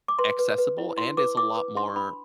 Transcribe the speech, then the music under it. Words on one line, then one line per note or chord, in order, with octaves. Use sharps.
accessible and is a lot more
D6
B4 C6
B4
B4
E4
E4 C6
B4 D6
E4 D6
B4
D4 C6
D4 B5